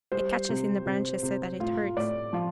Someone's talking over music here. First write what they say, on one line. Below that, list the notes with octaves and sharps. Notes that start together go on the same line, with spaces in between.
"It catches in the branches so that it hurts."
G3 C5
C3
C3
C3
A2 F4
A2 D5
F3 F4